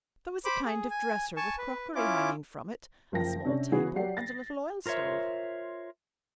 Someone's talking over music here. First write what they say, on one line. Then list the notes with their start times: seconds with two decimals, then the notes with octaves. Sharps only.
There was a kind of dresser with crockery hanging from it, a small table and a little oil stove.
0.45 C5 B5 D6
0.65 G#4
0.90 G#5
1.37 G#5 A5 C#6
1.58 B4
1.95 C#4 E4 F4 D6
3.12 F#1 F3 A#4 G5 A#6
3.45 C3 C#4 D4
3.72 C#3 E3 B3 F#4 G#4
3.96 F#3 G4 D5 F#5 C7
4.17 A6 A#6
4.86 F4 A#4 C5 C#5 E5